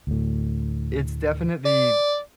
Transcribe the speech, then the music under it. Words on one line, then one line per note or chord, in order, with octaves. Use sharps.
it's definitely
D2 A2
D5